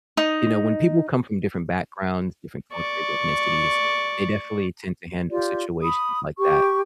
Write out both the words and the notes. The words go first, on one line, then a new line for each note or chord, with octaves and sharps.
you know, when people come from different backgrounds, different cultures, ethnicities, they definitely tend to handle situations like that
D#4 D#6
D5 C#6
F4 G4 D5
B5 D#6
G4 C#6